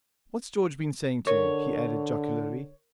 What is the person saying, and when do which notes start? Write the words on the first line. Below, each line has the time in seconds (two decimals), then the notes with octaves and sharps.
What's George been saying to you?' he added jocularly.
1.27 D3 A#4 C#5